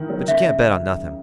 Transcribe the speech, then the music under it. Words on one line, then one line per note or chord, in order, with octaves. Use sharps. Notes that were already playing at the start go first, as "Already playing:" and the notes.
But you can't bet on nothing.
Already playing: D#3 B3 E4
F#3
C#3 E5
C#3